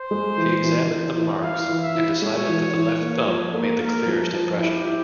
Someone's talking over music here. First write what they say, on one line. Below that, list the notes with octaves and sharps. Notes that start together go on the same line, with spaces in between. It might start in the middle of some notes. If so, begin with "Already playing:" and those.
He examined the marks and decided that the left thumb made the clearest impression.
Already playing: C5
G#3
E3
E3
E3
E3
E4 F5
E3
E5
E4
G#3 C#5
E3
E3
A#3
F3
A#3
A#3 A#4
F3
F3
E4 G4
E4